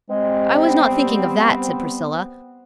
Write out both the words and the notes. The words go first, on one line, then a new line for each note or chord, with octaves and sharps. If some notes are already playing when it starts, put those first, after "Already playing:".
"I was not thinking of that," said Priscilla.
G3 G#3 C4
B3